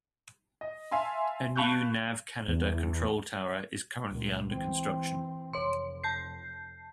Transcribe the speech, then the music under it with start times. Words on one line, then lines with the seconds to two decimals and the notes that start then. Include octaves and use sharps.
A new Nav Canada control tower is currently under construction.
0.61 D#5
0.91 E5 F5 G#5 A5 C6
1.56 F5 A5 B5 C#6 F#6 G6
2.48 E2
4.09 C#2 A#2
4.47 E3 C4
5.53 F1 C#5 C6
6.03 A5 G6 C7